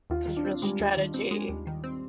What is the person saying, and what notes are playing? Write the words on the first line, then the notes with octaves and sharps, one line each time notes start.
There's real strategy,
D#2 F4
D#3
D4
C4
G3 G#3
D#2
D#3
C4
G#3
D#2
D#3
C4